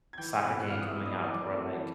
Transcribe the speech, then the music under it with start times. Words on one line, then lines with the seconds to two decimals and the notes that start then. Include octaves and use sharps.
soccer game coming up?" Or, like,
0.13 G#6
0.18 E3 G5 G6
0.44 G3 B3 F#5 F#6
0.63 F#6
0.70 E3 F5 F6
0.81 D#6
0.88 E5 E6
0.97 G3 B3
1.05 D#5 D#6
1.23 E3 D5 D6
1.50 A3 C4
1.77 E3